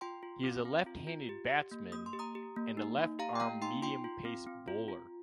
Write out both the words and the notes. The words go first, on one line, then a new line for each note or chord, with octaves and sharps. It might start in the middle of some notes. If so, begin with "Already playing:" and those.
He is a left-handed batsman and a left-arm medium-pace bowler.
F4 G5 C6
F4
C4
C4
F4
F4
G4
G4
A#3
A#3 D#6
C6
G4
A#5 D#6
G4
A#3
D#4
A#3
G4 F5 A#5
G5
A#3 F5 A#5
D#4 G5 C6
F4 G5 C6
F4
C4
C4
F4
F4